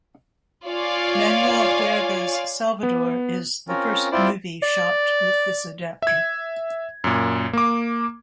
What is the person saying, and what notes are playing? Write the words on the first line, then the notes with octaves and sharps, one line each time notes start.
Manuel Huerga's "Salvador" is the first movie shot with this adaptor.
F4 C#5 D5 F5 G#5
B3
C4 C#4 F4 A#4
C4 E4 F4 C5 D5
D5
E5 G#6
F#2 A#2
A#3 D6